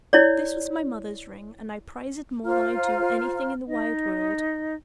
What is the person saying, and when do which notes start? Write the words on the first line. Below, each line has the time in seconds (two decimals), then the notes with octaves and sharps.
This was my mother's ring, and I prize it more than I do anything in the wide world.
0.13 E4 C#5 D5
2.45 F4 C5 A#5 F6
3.66 D#4 D#5